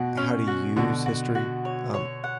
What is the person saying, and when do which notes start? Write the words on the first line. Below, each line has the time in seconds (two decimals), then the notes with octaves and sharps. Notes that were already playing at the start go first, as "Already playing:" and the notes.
how to use history, um,
Already playing: B2 F#4
0.17 C#4
0.47 F#4
0.76 B2 D3 F#4
1.06 F#4
1.35 F#4
1.65 C#5
1.94 C#5
2.24 F#5